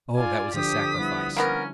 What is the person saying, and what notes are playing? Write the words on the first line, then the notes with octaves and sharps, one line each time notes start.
Oh, that was a sacrifice!
F4 D5 G#5
D3 F3 D4 G4 D#6 B6
G3 B3 E4
A#3 B3 C#4 A#4